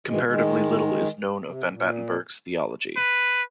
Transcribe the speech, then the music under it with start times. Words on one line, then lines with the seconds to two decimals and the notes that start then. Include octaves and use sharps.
Comparatively little is known of Van Batenburg's theology.
0.07 G#2 B2 D#3 E3 G#3
0.26 D#3 G#3
1.45 C3
1.70 A#2
2.97 B4